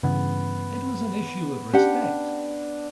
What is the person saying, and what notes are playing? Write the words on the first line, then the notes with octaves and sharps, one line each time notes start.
It was an issue of respect.
G2 C#3 E3 B3
C#4 D4 G4 F#5